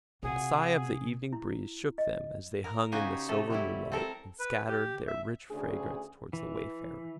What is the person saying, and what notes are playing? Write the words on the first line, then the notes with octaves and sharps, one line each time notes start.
A sigh of the evening breeze shook them as they hung in the silver moonlight, and scattered their rich fragrance towards the wayfarer.
C3 F4 F#4 G#4 D#5
E4
D#5
A#4
C#3 D#4 F#4 G4 C5 G#5
C3 A3 A4
F#3 G3 E4
C4 A4 A#4
B4
G4
E5
D2 C#3 D4 G#4
E3